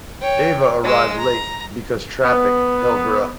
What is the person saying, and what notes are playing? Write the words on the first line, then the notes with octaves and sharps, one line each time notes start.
"Ava arrived late because traffic held her up".
C#5 G5
G#3 E6
A#5
B3